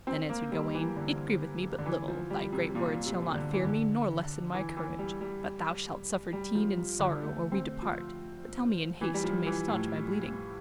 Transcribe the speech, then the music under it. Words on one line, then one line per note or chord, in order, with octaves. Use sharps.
Then answered Gawaine, it grieveth me but little, thy great words shall not fear me nor lessen my courage, but thou shalt suffer teen and sorrow or we depart, but tell me in haste who may staunch my bleeding.
C4
A#3
G3
E3
D3
D3
E3
F3
G3
C3
A#2
C3
D3
E3
D3
E3
E3
G3
G3
G3
F3
F3
D3
A3
C4
F3
E3
G3
F3
E3
A2